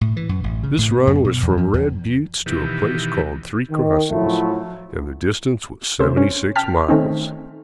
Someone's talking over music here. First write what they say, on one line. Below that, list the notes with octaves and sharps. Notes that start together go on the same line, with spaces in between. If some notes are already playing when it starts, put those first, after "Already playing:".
This run was from Red Buttes to a place called Three Crossings, and the distance was seventy-six miles.
A2
E3
F#2
A1
C#3
A2
B3
F#2
B2
E2
F3
E2
B2 D#3 E3 G4
D#3
A2 F3 F#3 A3 E4
C3 A3 C#4 C5
C#4
G5 A5 F6 B6
D#3 A3 C4 C#4 D#4